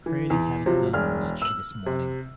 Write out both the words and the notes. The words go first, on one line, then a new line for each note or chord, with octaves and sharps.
'Fraid I haven't done much this morning.
E3
E2
C3 F3 F#3
E1 D4 G#4 F6
E6 F#7
C3